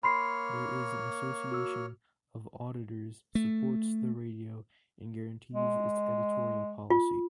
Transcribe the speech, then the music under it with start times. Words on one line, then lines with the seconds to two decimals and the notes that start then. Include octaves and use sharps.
There is an association of auditors supports the radio and guarantees its editorial policy.
0.03 A#3 C#5 B5 C6 F6 C7
1.52 F#4 E6
3.35 A3
5.54 G#3
6.90 F4